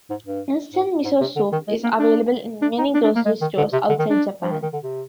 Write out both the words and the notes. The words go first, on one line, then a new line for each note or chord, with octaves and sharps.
Instant miso soup is available in many grocery stores outside Japan.
G#2
G2
G#2
G#2
C3
D3
D#3
G#3
A#3
D4
D4
D#4
D4
D4
A#3
G#3
D#3
D3
C3
D3
D#3
D4
F3
D#3
D#3
D3
C3